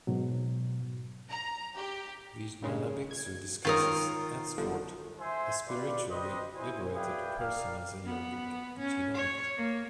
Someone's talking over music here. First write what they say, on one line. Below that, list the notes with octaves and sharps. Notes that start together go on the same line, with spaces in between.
Vijnanabhiksu discusses, adds Fort, a spiritually liberated person as a yogic jivanmukta.
G#2 B2 F#3
A#5
G4
G2 C#3 G#3
G#6
G#2 D#3 F4 A#4 C#5 D#6
G1 D3 F3
C5 E5 G#5
F4 G4 B4 D5
C4 B4 C5 D5 D#5
E4 C5 G#5
G#4 B4 D5 E5 F5 G5
A#3 A#4 D5 F5
B3
C#4
C#5
A#3